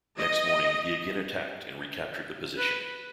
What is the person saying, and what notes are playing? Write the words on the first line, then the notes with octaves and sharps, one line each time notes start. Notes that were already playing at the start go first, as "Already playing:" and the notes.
Next morning he again attacked and recaptured the position.
D#5
B4